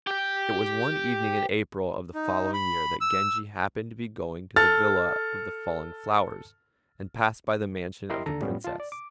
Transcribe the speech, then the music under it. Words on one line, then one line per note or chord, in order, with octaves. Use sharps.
It was one evening in April of the following year that Genji happened to be going to the villa of "the falling flowers," and passed by the mansion of the Princess.
G4 G5
D#4
B5
E6
A4 F6 A6
E4 G4 A#4 D#5 C6
D#2 D3 A4 A#5
A2 G3 B3 C#4 F4
F4 A5
D5
D6